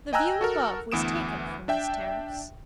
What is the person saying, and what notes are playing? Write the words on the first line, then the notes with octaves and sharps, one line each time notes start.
The view above was taken from this terrace.
D#5 G5 G#5 A#5 E6 F#6
F#4 A4 A#4
D2 E3 B3 D#6 D7 E7
D4 E5 G5